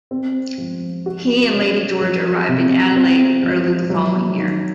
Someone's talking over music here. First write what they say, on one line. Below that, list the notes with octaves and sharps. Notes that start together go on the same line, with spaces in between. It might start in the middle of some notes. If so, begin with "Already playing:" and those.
He and Lady George arrived in Adelaide early the following year.
C4
F3
F#4
C#4
F3
C3
C4
F3
F#3
D#3